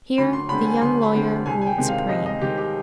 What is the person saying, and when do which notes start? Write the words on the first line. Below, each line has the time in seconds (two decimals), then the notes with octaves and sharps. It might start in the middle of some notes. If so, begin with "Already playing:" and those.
Here the young lawyer ruled supreme.
0.18 D2 B5
0.33 C6
0.49 D3 B5
0.52 G#3 C4
0.65 G#5
0.81 D2 C6
1.03 B5
1.14 D3 G#3 C4
1.46 C2 G#5
1.62 G#5
1.66 G5
1.78 C3 D#3 G#3 C4
1.88 F5
2.09 C2 D#5
2.26 D#5
2.41 C3 D#3 G#3 C4 G4
2.58 G4